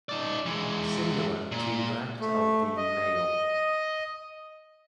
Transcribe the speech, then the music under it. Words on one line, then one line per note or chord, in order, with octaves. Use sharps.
Similar to that of the male.
D#4 D5
E3 G#3
A#2
A3
D#5